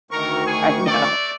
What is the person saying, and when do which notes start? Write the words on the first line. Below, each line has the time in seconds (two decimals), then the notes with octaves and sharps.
I know.
0.11 D2 D#3 A#4 C#6
0.46 G#4 G#5
0.85 A3 D5